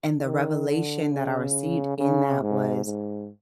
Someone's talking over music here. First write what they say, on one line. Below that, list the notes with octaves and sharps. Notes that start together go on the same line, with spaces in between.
And the revelation that I received in that was,
D#3
D3
C#3
C#3
G#2
G#2